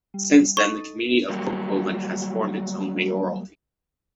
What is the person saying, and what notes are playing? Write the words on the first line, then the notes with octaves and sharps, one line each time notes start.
Since then, the community of Kückhoven has formed its own Mayoralty.
G3
D#4 A4 D#5 C#6
F#3 G3 A#3